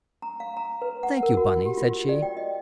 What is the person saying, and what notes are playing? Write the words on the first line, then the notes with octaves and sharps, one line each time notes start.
"Thank you, Bunny," said she.
A#5
F5
A#5
B4
F#5
A#4
F#4
G4
F4
D5
G5
D#5